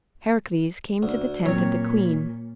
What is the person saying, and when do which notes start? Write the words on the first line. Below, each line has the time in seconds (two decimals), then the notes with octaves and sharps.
Heracles came to the tent of the queen.
1.03 D2
1.46 A#2 F#3 C4 C#5